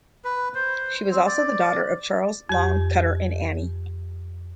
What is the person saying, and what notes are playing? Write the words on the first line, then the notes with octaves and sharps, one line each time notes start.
She was also the daughter of Charles Long Cutter and Annie.
B4
C5
C4
D5
F2 G4